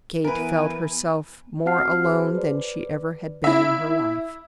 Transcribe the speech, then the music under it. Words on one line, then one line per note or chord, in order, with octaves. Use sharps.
Kate felt herself more alone than she ever had been in her life.
E3 B3 A#4 B4 G#5
C4 F#4 F#5 A5 F6 C7
F#4 G#4 B4 C5
B4 D5
E4 E5